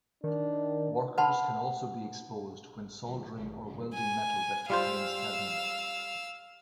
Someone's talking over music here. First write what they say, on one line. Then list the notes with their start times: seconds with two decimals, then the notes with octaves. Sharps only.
Workers can also be exposed when soldering or welding metal that contains cadmium.
0.24 D#3 D4
1.18 B4 F#5 A5 B5 C6
3.94 G#5
4.70 G3 F4 C5 F5 E6